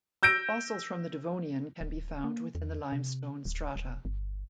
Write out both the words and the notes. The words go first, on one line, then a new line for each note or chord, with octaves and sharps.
Fossils from the devonian can be found within the limestone strata.
E6 G6 A#6 D7
D1
A#3
E2
C3
D1
D#1
G1